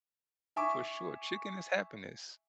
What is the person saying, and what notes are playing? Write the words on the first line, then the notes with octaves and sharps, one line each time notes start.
for sure, chicken is happiness.
E5 G#5 C#6 D6